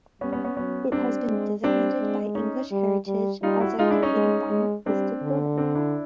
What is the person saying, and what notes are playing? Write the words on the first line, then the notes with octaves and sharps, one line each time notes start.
It has been designated by English Heritage as a Grade One listed building.
G3 B3 C#4
B3 C#4
B3 C#4
F#3 B3 C#4
G3 C4 D4
G#3
G3 C4 D4
G#3
C#4 D#4
G3
G3
G3 D#4 F4
E4 F#4
G#3 D#4 F4
D4 E4
C#4 D#4
G#3
G#3
G3 C4 D4
D3
C4 D4
D4 E4